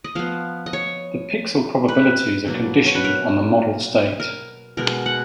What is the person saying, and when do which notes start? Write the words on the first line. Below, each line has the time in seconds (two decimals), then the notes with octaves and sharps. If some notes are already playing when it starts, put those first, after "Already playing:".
The pixel probabilities are conditioned on the model state.
0.04 D#5
0.15 F3 B3 F5
0.66 D#5
0.73 C#5
1.88 B4
2.47 B2 F#3 A#3
2.86 C#5
2.95 B4
3.04 A#4
4.20 A#4
4.77 B2 G#3 B3 A#4
5.06 F#5